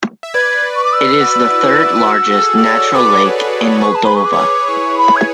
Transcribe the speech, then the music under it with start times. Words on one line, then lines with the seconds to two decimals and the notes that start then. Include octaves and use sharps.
It is the third largest natural lake in Moldova.
0.23 E5
0.34 B4 D5 G#6
0.75 C#6
0.84 D6
0.92 E6
1.21 F#4
1.50 E4
1.80 E4
2.07 F#4
2.32 G#4
2.37 F#4 A4
2.58 D5
2.65 A4 C#5
2.94 B4 D5 D6
3.38 G#4 B4
3.72 C#5
3.81 G#4 B4 C#6
3.94 A5
4.05 B5
4.15 C#6
4.25 D6
4.33 C#5
4.39 G#4 B4
4.68 E4 G#4 C#6
4.97 B5
5.16 G#6